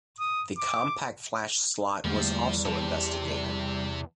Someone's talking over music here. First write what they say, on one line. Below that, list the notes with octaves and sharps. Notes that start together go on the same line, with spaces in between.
The CompactFlash slot was also investigated.
D#6
D6
E2 D3 F3 G3 A3 A#3
C3 A5